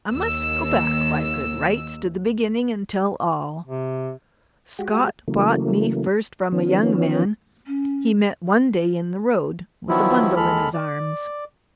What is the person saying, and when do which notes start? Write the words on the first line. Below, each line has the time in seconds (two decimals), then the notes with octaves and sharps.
I must go back by good rights to the beginning and tell all: Scott bought me first from a young man he met one day in the road, with a bundle in his arms.
0.12 D#2 E6
3.67 C3
4.79 G#3 F#4 G4
5.28 C#3 E3 F#3 A3 A#3
6.52 D#3 F3 B3 C#4
7.67 C#4
9.89 D#3 F3 F#3 B3 E4
10.36 D#2 G#3 A4 B5 F6
10.74 D5